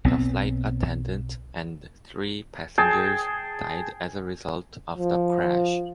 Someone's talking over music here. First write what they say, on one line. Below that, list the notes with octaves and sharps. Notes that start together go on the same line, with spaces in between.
The flight attendant and three passengers died as a result of the crash.
B1 B3 C4
G#4 G5 A5
F3